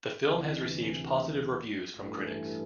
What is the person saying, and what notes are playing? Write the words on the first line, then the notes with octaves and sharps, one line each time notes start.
The film has received positive reviews from critics.
D2 C3 E3
A1 G2 E3 A3